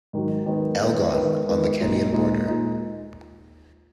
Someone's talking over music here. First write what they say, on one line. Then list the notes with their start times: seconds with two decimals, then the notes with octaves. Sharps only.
Elgon on the Kenyan border.
0.13 G#2 D#3 F#3
0.46 D#3 G#3 B3
0.80 D#3 G#3 B3
1.13 D#3 G#3 B3
1.47 D#3 G#3 B3
1.80 A#2 G#3 D#4
2.13 A#2 G#3 D#4
2.47 A#2 G#3 D#4